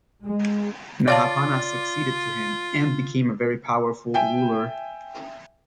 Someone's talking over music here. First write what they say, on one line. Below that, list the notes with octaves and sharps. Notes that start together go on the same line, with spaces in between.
Nahapana succeeded to him, and became a very powerful ruler.
G#3
F4 C#5 D5 F5 A5
E5 G5 G#5